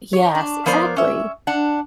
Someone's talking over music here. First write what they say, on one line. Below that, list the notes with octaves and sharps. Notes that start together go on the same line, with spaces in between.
Yes, exactly.
C#5
D4
F3 B3 A#4 C5 D5
C#4 E5
D4 F#5